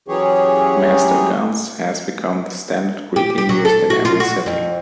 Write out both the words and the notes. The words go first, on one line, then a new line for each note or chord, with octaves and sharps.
"Master Guns" has become the standard greeting used in every setting.
E3 F#3 C#4 G4 G#4 C#5
G4
G4
F#3
A4
F#4
F4
F#4
F2